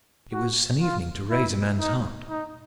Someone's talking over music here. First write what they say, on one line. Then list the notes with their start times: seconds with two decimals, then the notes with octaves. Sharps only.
It was an evening to raise a man's heart.
0.33 F#4
0.82 F4
1.31 E4
1.79 D#4
2.29 D#4